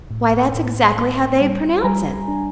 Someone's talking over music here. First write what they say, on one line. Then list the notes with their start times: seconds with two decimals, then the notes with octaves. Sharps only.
"Why, that's exactly how they'd pronounce it!"
0.11 A2
0.55 A2
0.98 A#3
1.41 G3
1.84 G3 G#5 A#5
2.28 D4